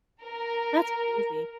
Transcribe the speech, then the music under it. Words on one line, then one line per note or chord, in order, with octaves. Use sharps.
That's crazy.
A#4